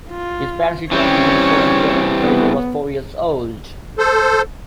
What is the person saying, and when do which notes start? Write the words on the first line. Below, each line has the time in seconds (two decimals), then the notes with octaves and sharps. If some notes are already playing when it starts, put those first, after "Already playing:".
His parents returned to British Columbia when Fraser was four years old.
0.10 F4
0.91 E3 G3 C4 C#4 C#5
2.19 B3
3.98 A4 C5